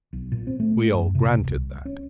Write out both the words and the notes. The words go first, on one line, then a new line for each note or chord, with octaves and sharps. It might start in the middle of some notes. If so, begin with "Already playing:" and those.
We all granted that.
B1
A#2
C4
A3
F#2
C3
D#1
C2
C#4